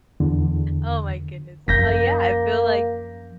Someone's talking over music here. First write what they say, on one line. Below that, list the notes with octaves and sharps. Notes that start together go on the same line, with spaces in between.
Oh my goodness. Uh, yeah, I feel, like
E2 D3
F#2 F3 A#3 G6 A#6 B6